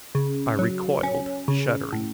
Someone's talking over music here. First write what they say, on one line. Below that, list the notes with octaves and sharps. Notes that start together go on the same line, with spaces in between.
I recoiled shuddering.
C#3
F#3
C#4
C#3
A2